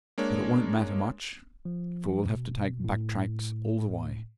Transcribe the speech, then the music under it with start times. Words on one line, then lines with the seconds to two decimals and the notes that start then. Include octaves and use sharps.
But it won't matter much, for we'll have to take back tracks all the way.
0.18 G#3 A#3 D4 C#5
1.65 F3
2.25 B2
2.84 A2